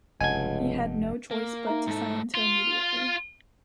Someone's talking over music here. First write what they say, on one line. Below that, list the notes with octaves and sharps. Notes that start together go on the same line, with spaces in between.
He had no choice but to silence her immediately.
F1 C#2 G2 D#5 F#5 G#5 A5 G#6
A#3
D#4 E5 A#5
G#2 A4
F4